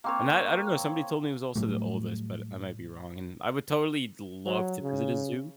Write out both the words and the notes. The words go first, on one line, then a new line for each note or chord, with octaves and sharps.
and I I don't know, somebody told me it was also the oldest, but I might be wrong, and I would totally love to visit a zoo.
A#3 C4 C#5
A2 F#3 G3 A3
F#3
C#3